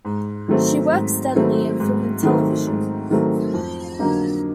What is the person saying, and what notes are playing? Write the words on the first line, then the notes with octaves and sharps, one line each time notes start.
She worked steadily in film and television.
G#2
D#3 F#3 A3 C4
G#2
D#3 F#3 A3 C4
G#2
D#3 F#3 A3 C4
G#2
D#3 F#3 A3 C4
F2
D3 F#3 A#3 D#4